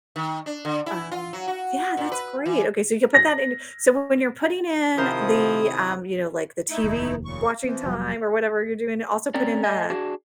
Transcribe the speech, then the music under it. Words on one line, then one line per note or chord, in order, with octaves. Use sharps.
um, yeah, that's great okay, so you’ll put that in so when you’re putting in, the, um you know, like the TV-watching time, or whatever you’re doing? Also, put in, uh,
D#3
D4
D3
E4
F4
F#3
F#4
A#2
B4
E3
A#6
C3 D#3 F3 E4 A#4 C5 A#5 D#6
A3 D#4 E4
F1 D#2
A#2 C#3 C#6
E3 F3 C4
F1 F#3 G3
C4 C#4 A#4 D5
A3 D#5 G#5
D4 F#4 G#4